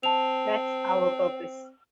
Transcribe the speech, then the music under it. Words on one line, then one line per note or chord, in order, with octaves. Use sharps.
That's our purpose.
C4 A5 F7